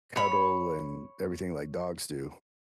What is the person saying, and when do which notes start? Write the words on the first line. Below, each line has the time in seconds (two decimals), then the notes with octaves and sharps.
cuddle, and everything like dogs do.
0.16 C#5 B5